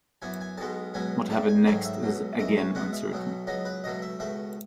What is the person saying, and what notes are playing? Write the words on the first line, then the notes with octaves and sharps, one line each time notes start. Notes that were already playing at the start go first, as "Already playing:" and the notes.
What happened next is again uncertain.
F#2 E3 B3 G#5
G#5
B1 B2 G#3 B3 A5
C#2 B2 F#3 B3 G#5
E2 D#3 A3 A5
G#5
A1 G#2 D#3 F#3 A3 G#5
E5
C#2 B2 F#3
F#2 E3 A3 D#5
C#5
C#2 B2 G#3 B3 F#5
E5
B1 B2 F#3 A3
C#2 C#3 F#3 B3 D#5
B4
C#2 B2 F#3 A3 D#5
E5
C#2 B2 A3 E5